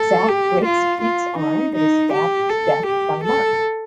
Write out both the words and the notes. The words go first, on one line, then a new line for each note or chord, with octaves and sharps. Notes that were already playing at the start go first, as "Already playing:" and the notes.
Zack breaks Pete's arm but is stabbed to death by Marc.
Already playing: A4
G4
F4
F4
D#4
D#4
G4
A4
G4
A4